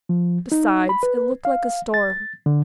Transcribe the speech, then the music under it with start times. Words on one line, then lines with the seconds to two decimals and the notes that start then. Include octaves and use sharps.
Besides, it looked like a storm.
0.09 F3
0.52 D#4
0.89 B5
1.03 B4
1.45 F5
1.94 A6
2.46 D3